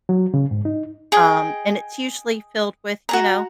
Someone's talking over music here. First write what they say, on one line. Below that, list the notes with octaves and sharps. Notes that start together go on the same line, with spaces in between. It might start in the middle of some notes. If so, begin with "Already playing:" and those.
um, and it's usually filled with, you know,
F#3
C#3
G#2
D#4
G#4 D#5 G5
F#4 G#4 A#5